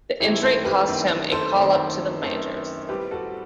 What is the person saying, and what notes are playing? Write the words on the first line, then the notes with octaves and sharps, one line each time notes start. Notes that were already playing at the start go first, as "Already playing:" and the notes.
The injury cost him a call-up to the majors.
F#2 D#3 A3 C4 E4 G4
A4 C5
G4 B4
F#2 D#3 A3 C4
A4 C5
F#2 D#3 A3 C4
F#2 D#3 A3 C4
A2 G3 C4 G4 B4
F#4 A4